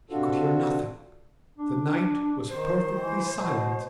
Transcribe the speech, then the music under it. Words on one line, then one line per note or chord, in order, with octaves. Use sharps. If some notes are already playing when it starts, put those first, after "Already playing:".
He could hear nothing: the night was perfectly silent.
C3 D4 F4 F#4 A4
D4
D#3 C5
E3
B2